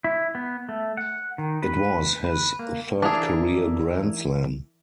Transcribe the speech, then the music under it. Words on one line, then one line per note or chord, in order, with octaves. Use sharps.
It was his third career grand slam.
E4
B3
A3
F#5
D#3
B4
B4
A#3
E3 D4 E4 G#4 A#4